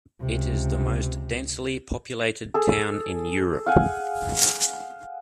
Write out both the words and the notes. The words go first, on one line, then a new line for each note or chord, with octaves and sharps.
It is the most densely populated town in Europe.
C#2 C3
G#4 A4
F5 F#5 G#5